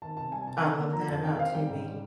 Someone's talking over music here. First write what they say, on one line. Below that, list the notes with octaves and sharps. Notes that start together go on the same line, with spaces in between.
I love that, about Tubi.
D#3 A5
C3 A5
G3 G#5
C3 A5
D3
A#3
F3 A#5
F2 A5
D#3 G5
C4 F5
G3 G5
G#2
G3